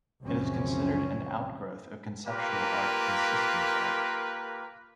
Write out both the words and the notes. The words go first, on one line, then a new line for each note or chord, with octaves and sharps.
It is considered an outgrowth of conceptual art and systems art.
C#2 F#2 E3 F3 C4 C#4
A#3 F4 G4 A#4 B4